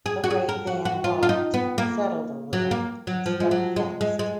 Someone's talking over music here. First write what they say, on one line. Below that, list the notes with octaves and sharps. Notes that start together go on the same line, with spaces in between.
The great van rocked, settled a little, and stuck fast.
G#4
F#4
G#4
A#4
F#4
F#4
F4
F4
D#4
B3
A#3
F#3
A#3
F#3
F3
G#3
F#3
G#3
G#3
G#3